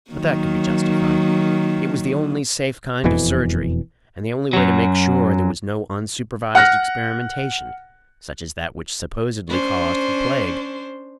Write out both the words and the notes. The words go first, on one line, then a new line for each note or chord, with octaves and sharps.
But that could be justified; it was the only safe kind of surgery and the only way to make sure there was no unsupervised experimentation, such as that which supposedly caused the plague.
D#3 F#3 A#3
E1 F2 B2 E3
F#2 F#3
F#5 F6 F#6 A#6
C#4 D4 C5